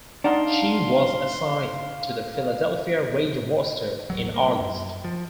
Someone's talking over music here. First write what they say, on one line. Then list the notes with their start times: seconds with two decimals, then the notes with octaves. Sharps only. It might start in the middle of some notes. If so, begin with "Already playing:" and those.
She was assigned to the Philadelphia Rage roster in August.
0.24 D4 D#4 F5 F#5 A#5 C6
4.10 D#1 A1 F#3
4.34 A#3
4.61 F#2
5.04 F3